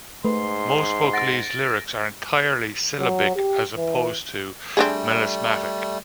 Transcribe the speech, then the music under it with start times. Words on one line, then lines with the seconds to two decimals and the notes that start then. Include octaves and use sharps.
Most vocalese lyrics are entirely syllabic, as opposed to melismatic.
0.25 G#2 A3 B4 C6
1.13 F#5 A6 A#6 D7
3.00 F#3
3.36 G4
3.77 E3
4.77 G3 A3 C4 D4 G#4